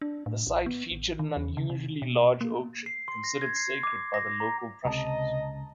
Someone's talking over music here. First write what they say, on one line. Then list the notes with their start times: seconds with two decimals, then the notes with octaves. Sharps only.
The site featured an unusually large oak tree, considered sacred by the local Prussians.
0.02 D4
0.26 A2
0.47 A#1
0.66 B3
0.91 A1
1.19 D#3
1.36 E2
1.57 C#3
1.70 C3
2.02 B2
2.41 A#3
2.86 C7
3.08 C6
3.24 A#6
3.42 G#6
3.56 C7
3.83 D6
4.14 A#6
4.40 A#5
4.85 C#2 C3 D#5 A5 A#5